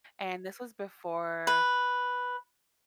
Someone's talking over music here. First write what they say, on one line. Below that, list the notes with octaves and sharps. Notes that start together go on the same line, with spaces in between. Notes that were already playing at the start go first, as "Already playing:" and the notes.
And this was before,
B4